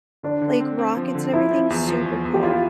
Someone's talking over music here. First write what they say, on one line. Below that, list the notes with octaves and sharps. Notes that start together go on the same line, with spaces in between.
like, rockets and everything. Super cool.
D3 D4
D3
C4
C4
F3
D3
F3 E4
F3
E2
F3
E2
E2
G4
E4 F4